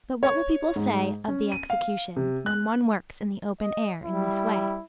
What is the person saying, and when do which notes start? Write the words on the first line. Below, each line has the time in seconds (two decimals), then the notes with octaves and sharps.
But what will people say of the execution when one works in the open air in this way?
0.23 C#5
0.76 G#2
1.28 C#4
1.52 D#7
1.70 F5
2.16 C3
2.46 F#6
3.61 D#5
4.05 G3 E4